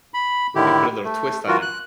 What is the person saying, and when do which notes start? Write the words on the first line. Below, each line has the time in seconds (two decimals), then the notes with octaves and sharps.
You put a little twist on it.
0.14 B5
0.55 A2 D3 D#3 E4 G4
1.04 A3
1.48 E3 F4 F#4 A#4
1.62 F#6